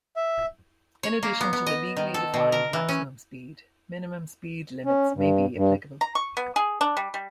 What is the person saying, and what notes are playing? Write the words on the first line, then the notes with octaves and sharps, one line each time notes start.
In addition to the legally defined maximum speed, minimum speed limits may be applicable.
E5
C#5
A#3
B3
B3
D#5
D#3
A4
B2
A#4
E3
C#4
C#4
G2
G2
A#5
C#6
B3
G#4
D4
G3
G3